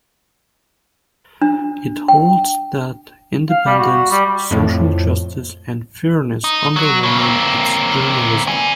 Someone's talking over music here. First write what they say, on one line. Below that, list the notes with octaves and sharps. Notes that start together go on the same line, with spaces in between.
It holds that "independence, social justice and fairness" underlie its journalism.
D4
G5
F5
G3
F#4
G3
F2 A2
D#4
F#3
C#3 F#3
A#3 C4
D5 G#5